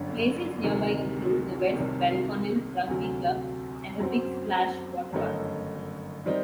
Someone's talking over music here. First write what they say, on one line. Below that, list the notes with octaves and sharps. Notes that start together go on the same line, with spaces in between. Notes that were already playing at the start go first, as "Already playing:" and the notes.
Places nearby include the West Belconnen Rugby Club and the "Big Splash" Waterpark.
Already playing: G1 F#2 D3
D2 C3 D#3
C2 C3 D#3
D2 C3 F#3
F#2 F#3 C4
G1 F#2 D#3 A3 D#4
D#3 G3 C4 D#4